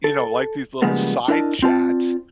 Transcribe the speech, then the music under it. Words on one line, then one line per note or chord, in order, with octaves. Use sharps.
you know, like these little side chats
A4
C#3 F3 G3 G#3 A#3 B3
D4 E4 A#4 D#5 A5
C4 F4 D5 A5